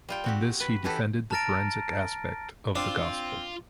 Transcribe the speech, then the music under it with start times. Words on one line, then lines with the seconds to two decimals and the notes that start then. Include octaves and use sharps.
In this he defended the forensic aspect of the gospel.
0.09 G3 F4 G5
0.24 C4 F#4 G4
0.60 B4
0.84 E3 C#4 F#4 G4 A4 B4
1.31 A5 A#5 F6 A6 A#6 D7
2.76 C4 D4 F4